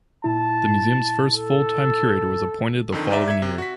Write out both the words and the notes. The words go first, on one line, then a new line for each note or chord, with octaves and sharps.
The museum's first full-time curator was appointed the following year.
A#2 E4 A5
A4
F2 D3 D#3
G#2 D5 E5 A#5
E5 G#6
C3
F#4 B6